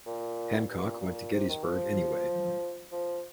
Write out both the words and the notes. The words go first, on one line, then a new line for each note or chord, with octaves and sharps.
Hancock went to Gettysburg anyway.
A#2
G2
A#2
A#2
C3
D#3
F3
F3